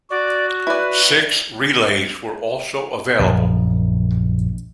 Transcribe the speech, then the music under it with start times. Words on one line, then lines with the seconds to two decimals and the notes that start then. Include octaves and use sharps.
Six relays were also available.
0.10 F#4 D5
0.67 E4 B4 D5
3.19 A#1 F#2